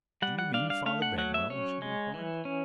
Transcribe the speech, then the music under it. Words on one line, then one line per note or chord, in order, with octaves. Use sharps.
"Do you mean Father Benwell?" she inquired.
G3 F#5
F#5
D4 F5
F5
A3 F5
F#5
F#3 F#5
E5
C#4 C#5
G#3
E3
C#4